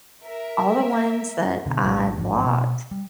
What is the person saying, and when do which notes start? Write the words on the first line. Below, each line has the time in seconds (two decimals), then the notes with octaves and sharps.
all the ones that I blocked
0.23 A#4 E5
1.66 B2 D3
1.85 A#1 A2 C#3
2.17 A1 G#2 F3 D4
2.45 B2
2.91 G3